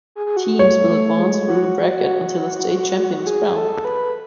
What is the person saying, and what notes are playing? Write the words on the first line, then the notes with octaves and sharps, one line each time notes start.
Teams will advance through the bracket until a state champion is crowned.
G#4
G#4
F#4
A3 C#5
A3
G#3
F#4
G#4
A4
B4